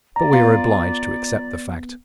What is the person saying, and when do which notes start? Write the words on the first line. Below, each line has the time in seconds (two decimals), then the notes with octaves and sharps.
But we are obliged to accept the fact.
0.16 D5 A#5
0.33 B3 F4